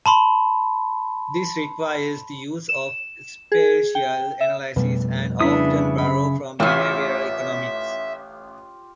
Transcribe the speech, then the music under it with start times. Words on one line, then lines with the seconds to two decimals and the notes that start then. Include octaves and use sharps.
This requires the use of spatial analysis and often borrows from behavioral economics.
0.06 A5 B5 C6
2.69 E7
3.52 G#4
3.95 G5
4.41 E5
4.76 F2 B2 G3 A3
5.40 C#3 B3 D4 E4 E5 D#6
5.98 F#2 B5
6.60 A1 E3 C#4 F4 G4 E5 F5